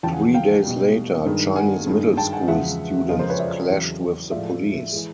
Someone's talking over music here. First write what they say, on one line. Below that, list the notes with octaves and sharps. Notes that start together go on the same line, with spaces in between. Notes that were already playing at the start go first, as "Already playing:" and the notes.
Three days later, Chinese middle school students clashed with the police.
E2 C#3 F3 G5 A5
F#5 G#5
F5 G5
B2 G3
G2 D#3 G#3
F#5 G#5
G2 D#3 G#3
G5 A5
F#5 G#5
E2 C#3 F3 G#3 E5 F#5
F2 C#3 F3 G#3 D#5 F5
A#4 C5
B4 C#5
D5 E5
E2 C#3 F#3
A2 F3 G#3 D5 E5
E3 G#3